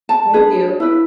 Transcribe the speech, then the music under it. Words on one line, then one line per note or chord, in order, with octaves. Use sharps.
I do.
A5
D4 G#4 B4
E4 B4